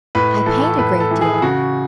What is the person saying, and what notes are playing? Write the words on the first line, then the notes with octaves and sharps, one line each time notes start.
'I paint a great deal.
A2 B4
E3 A4
A4
A2 B4
A4
E3
G#4
C#3 F#4